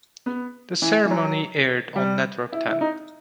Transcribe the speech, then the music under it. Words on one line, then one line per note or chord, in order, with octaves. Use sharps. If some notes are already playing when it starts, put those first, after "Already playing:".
The ceremony aired on Network Ten.
B3
E3
E3
F#3
G3
E4
E4
D#4